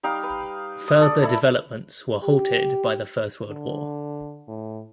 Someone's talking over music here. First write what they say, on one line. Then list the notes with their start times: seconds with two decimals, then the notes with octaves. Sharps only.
Further developments were halted by the First World War.
0.03 G3 D#4 F5 G5
0.23 B4
0.88 D#6
1.00 A4 D5
1.22 E4 A4 E5 B5
2.23 G4
3.48 D3
4.48 A2